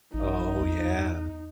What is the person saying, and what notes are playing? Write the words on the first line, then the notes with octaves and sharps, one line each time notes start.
Oh, yeah.
A1 D#4
E2